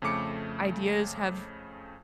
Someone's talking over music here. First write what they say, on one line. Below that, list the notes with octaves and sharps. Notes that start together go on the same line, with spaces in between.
ideas have
F2 C#3 A3 D6 C#7